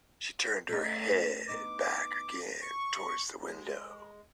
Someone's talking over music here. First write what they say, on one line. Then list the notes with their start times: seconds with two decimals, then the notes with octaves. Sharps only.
She turned her head back again towards the window.
0.69 A3 C#4 D#4
1.13 C#4
1.49 B3 D#4 D6
2.62 C#6
3.48 G#3